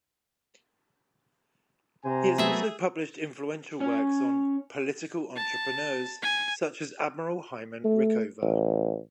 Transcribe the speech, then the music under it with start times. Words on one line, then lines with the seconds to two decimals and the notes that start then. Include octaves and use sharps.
He has also published influential works on 'political entrepreneurs' such as Admiral Hyman Rickover.
2.05 C3 C5 G#5 A#5
2.38 F#3 A3 B3 G#4 E5
3.80 C#4 C#5
5.36 A5
6.22 G#5
7.84 A3
8.42 A1